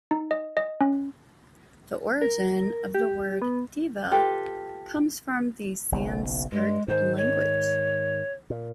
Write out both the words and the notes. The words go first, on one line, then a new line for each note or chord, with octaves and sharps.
The origin of the word 'deva' comes from the Sanskrit language.
D#4
D#5
D#5
C#4
A#4
G4
B3
F4 G4 A4 B4
F#1 B1 F#2
G2 G#3
G#2 D#3 C5
C#5
A#2